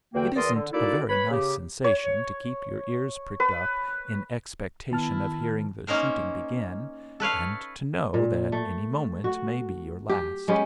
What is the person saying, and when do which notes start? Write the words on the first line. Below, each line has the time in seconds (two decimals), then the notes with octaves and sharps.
It isn't a very nice sensation to keep your ears pricked up in expectation of hearing the shooting begin, and to know that any moment may be your last.
0.14 E2 D3 A#3 F#4 G5
0.36 E2 A#4 D5 C6 D#6
0.53 D3
0.73 A#3 D#4 E4 F#4 A4 D5
1.09 B4 C#5 B5
1.30 C#3 G4
1.84 C#5
3.40 B4
4.92 D#3 B3 E4 A5 F6
5.87 A#3 C#4 D#4 A#4 C5
7.20 A4 B4 C#5 F5
8.14 A#2
8.52 A3
9.24 F#4
10.09 G4
10.48 G#3 B3 C#4 G4